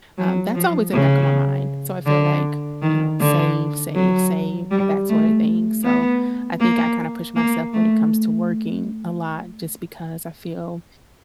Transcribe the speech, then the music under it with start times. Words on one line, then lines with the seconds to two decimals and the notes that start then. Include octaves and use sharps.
um, that's always in back of my mind. So, I feel like, you know, save, save, save, that sort of thing. So, I think I kinda push myself when it comes to working a lot just because I feel
0.18 F#3
0.55 F3
0.94 C#3
2.06 D3
2.82 D#3
3.20 D3
3.95 F#3
4.71 G3
5.09 A3
5.84 B3
6.60 A#3
7.36 A#3
7.74 A3